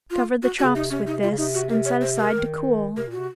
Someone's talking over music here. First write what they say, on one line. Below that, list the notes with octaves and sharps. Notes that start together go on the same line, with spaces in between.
Cover the chops with this and set aside to cool.
F4
F#4
F#4
C#3
C3 D#4
C3 C#4
D#4
F4
C#3
C3 D#4
F#4
C3 A#4
C#5
C5
A#4
D#3
C3 A#4
A#2
F#4
C3